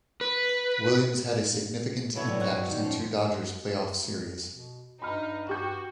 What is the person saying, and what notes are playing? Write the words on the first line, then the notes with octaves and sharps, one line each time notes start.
Williams had a significant impact in two Dodgers playoff series.
B4
B2 D3 E4 C#5
G2 F#3
C4 F#4
D#3 G3
F3 C#4 D#4
B2
G2 D#4 B5 F6
F#4 G4 G6